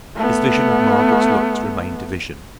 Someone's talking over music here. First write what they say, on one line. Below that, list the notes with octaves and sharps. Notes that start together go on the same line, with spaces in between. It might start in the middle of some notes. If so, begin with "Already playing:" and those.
His vision of Margaret's looks remained a vision.
A3 B3